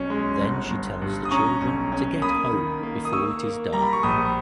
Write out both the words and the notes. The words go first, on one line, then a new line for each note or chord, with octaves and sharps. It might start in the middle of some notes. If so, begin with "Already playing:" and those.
Then she tells the children to get home before it is dark.
Already playing: B1 C#4
G#3
G1
G1
G2
D#6
C#4 A#5 C#6
B1
C#4
A#3 B5 D#6
D#3
A#3
D#6
A#3 C#6 E6
A#3
G3 A#5
B5
C#6
A#1 B5 D#6